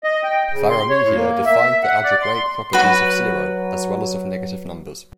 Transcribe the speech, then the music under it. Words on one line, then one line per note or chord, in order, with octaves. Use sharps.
Varahmihir defined the algebraic properties of zero as well as of negative numbers.
D#5
G5
C#3
C6
C#5
A2
A#3
E5
F#5
D5
C6
F#3 F#4 B4